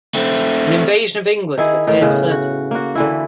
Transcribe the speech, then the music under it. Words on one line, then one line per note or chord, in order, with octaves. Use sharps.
An invasion of England appeared certain.
A3 C4
D#3 E4 G#4
A2 D#3 G5
A2 C#3 B3
F#4
A#3 F#4
D3 E3 E4